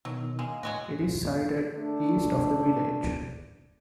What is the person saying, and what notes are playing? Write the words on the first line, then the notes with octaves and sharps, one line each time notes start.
It is sited east of the village.
B2 D#3 F#3
G#3 A#3
A2 F#3 G#3 F#4
A3 D4